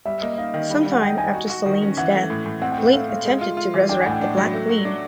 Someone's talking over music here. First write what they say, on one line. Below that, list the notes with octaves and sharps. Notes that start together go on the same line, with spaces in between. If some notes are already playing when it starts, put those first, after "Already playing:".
Sometime after Selene's death, Blink attempted to resurrect the Black Queen.
G3 E5
A#3 D#5
D#4 F5
D#3
G3
G3
F#5
D#4 G5
D#4 G#5
F#4
F#4
D#3
C#4
E3 F#5
A3
A2
A2
C4 F#5
G5
A3
F#5
A3 F5
A3 F5
G#3
F4
F4
E3
D4 G5
G#5
A2 F#5
G5
D4 F#5
F#3
A3
F#4
D4